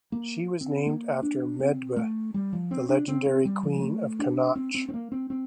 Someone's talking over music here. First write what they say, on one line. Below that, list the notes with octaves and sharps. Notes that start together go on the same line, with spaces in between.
She was named after Medb, the legendary queen of Connacht.
A#3
C4
A#3
D4
C4
A3
G3
F3
C4
D4
C4
C4
G3
F3
G3
A3
D4
C4
C4
C4
A#3
C4
C4